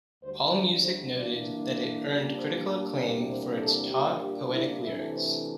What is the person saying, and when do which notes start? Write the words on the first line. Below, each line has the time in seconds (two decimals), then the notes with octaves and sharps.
Allmusic noted that it "earned critical acclaim for its taut, poetic lyrics".
0.23 D2 D3 G3 C5
0.53 D5
0.85 C5
1.15 G2 E3 A#3 D4 D5
2.07 A#2 G3 D4 D5
2.39 C5
3.00 E2 C3 G3 A#3 D4 D5
3.30 C5
3.61 A4
3.92 A#2 G3 A#3 D4 G4
4.22 G4
4.53 E4
4.84 C3 E3 A3 D4 E4
5.15 C5